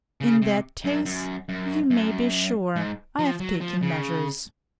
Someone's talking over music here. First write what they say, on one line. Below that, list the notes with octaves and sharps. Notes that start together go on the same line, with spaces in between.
In that case you may be sure I've taken measures.
C#3
C3
F#2
F#2
F#2
F#2
G#2
F3
F#3
F3
C#3